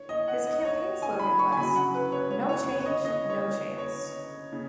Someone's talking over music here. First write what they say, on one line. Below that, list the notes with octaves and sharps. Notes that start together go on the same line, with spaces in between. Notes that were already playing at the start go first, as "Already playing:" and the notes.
His campaign slogan was "No change, no chance".
Already playing: C#5
D#5
F#5
D#5
C#5
G#5
B5
C#6
G#5
C#3 F#3 B5
F#5
B4
C#5
C#5
C#5
C#5
C#5
D#5
D#5
C#5
C#5
C#3